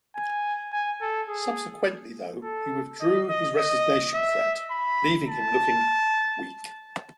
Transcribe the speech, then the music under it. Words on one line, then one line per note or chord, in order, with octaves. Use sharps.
Subsequently, though, he withdrew his resignation threat, leaving him looking weak.
G#5
G#5
A4
G#4
A4
D#5
D#5
D#5
E5
B5
A5